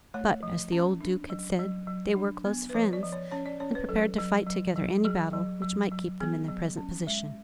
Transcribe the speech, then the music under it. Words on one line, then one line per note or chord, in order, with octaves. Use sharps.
But, as the old Duke had said, they were close friends, and prepared to fight together any battle which might keep them in their present position.
A3 C#5
F3
C#4
D4
F#3
F#3
F#3
D4
B3
B4
F3 C#5
D5
F3
C#5
C#4 C#5
D5
C#4 C#5
B4
F#3 A4
F#3
F#3
F#3
F#3 G#4
F#3
F#3
F#3
B3 G#4
F#3
C#4
G#3